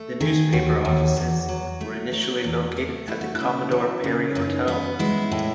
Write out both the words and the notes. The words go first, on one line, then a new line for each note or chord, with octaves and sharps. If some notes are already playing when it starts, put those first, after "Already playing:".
The newspaper offices were initially located at the Commodore Perry Hotel.
Already playing: A3
D#3 G#4
D#2 F#4
D#2
E2
F#3
A3
F#3
E2
A3
A3 E4
F#4
E4
C#3
F#3
C#3
F#2 D#4
B3
G#3 E4
A2